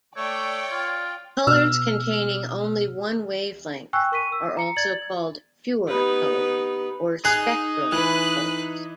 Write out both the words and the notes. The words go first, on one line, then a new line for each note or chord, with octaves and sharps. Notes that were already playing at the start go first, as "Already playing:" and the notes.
Colors containing only one wavelength are also called pure colors or spectral colors.
A3 C#5 D5 G5
F4
B2 E6 F6
G5 G#5 C#6 E6 F#6
A#4 C#6 B6 D#7
E6
A#5 C#7
D5 G#6 A6 F#7
B3 D#4 G4 B4 B5
D#4 G#4 F#6
E3 B4 B5 F#6